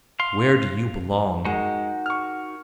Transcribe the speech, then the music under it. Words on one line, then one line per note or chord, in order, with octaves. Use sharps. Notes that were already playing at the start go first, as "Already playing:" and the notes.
Where do you belong?
F5 C6
G#3 D#4 F#4 A#4 F#5 G5
C#6 F6